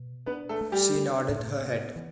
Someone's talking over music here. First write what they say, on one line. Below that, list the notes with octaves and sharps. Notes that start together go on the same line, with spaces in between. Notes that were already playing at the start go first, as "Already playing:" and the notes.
She nodded her head.
Already playing: B2
B3 D4 B4
A3 A4
A3
G3 G4
D4
A2
B3
E3